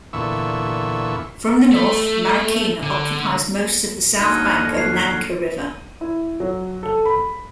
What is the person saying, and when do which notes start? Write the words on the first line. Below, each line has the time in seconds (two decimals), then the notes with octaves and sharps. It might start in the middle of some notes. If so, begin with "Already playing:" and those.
From the north, Marikina occupies most of the south bank of Nangka River.
0.13 E2 A#2 D3 E4 C#6 E6
1.71 A3
2.82 D3
4.18 D#2 D3 D#4 F#4 D#5 F6 G#6
4.78 F#3 C7
6.01 E4
6.40 F#3
6.83 A4
7.06 B5